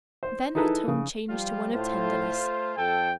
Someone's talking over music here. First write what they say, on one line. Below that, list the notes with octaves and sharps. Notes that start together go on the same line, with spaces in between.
Then her tone changed to one of tenderness.
C5
D#4 E4 G#4 A4 B4 A#5
C#3
F3 G3 F4
A2 A3 F4 C5
F2 A4 G5